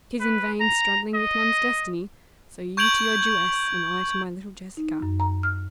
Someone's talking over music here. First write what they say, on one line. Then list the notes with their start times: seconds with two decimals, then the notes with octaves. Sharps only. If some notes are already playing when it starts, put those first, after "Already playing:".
'Tis in vain struggling with one's destiny--so you to your Jewess, and I to my little Jessica.
0.20 B4
0.60 A#5
1.14 D#5
2.77 C#6 G6 G#6 D7 F7 F#7
4.77 D#4
5.02 F#2
5.20 A#5
5.43 F6